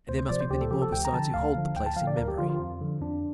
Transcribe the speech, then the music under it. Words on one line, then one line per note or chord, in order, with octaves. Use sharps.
And there must be many more besides who hold the place in memory.
D2 C5
C5
C3 F3 D5
C5
D2 G4
A4
C3 F3 G4
A4
D2 G5
A#5
D3 F3 A5
D2 F5
D3 F3
D2 G5
A5
D3 F3 F5
D5
D2 A#4
G4
D3 F3 F4
F4
F2
D3 F3
F2 D4